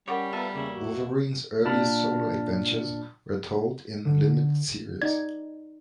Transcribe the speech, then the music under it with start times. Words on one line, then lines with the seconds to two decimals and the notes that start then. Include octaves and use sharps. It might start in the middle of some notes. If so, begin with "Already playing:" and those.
Wolverine's earliest solo adventures were told in limited series.
0.08 G3 C#4 G4 A#4 C#5 F#5 D6
0.33 B3 F4 A4 E5 A5 A#5
0.53 E2 C#3 A#3 E4
0.72 F#4
1.65 A#2 D4 A5 B5 F6
4.05 D3
5.02 D#4 D5 G#6